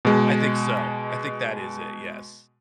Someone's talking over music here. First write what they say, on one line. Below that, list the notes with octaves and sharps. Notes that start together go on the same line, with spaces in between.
I think so. I think that is it, yes.
B2 G#3